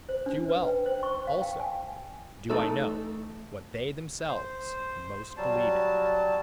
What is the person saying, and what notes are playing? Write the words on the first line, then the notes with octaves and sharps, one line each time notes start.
Too well, also, do I know what they themselves most believe in.
C5
D4
B4
G5
C5
C#6
F5
G5
G#5
E3 A3 D#4 A4
C5
F#3 G3 A5